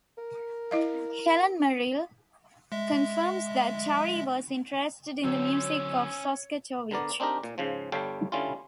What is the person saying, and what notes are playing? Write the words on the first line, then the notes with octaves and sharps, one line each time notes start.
Helen Merrill confirms that Torrie was interested in the music of Shostakovich.
A#4
E4 D#5 F5
G#3 E5
D3 F#3 C#4 C5 C#5 E6
D3 B3 A#4 D5
C4 D4 D#4 G4 A#4
A#2
G#2 C#3 F3
G1 G3 A4 C#5 F5 G5
D3 G3 C#4 E4 F4